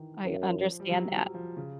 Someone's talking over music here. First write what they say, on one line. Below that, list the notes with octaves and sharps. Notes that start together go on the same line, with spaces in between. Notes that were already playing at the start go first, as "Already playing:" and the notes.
I understand that.
Already playing: D#3 E3
F#2
F3
G3
F#3
F#3
F3
C#3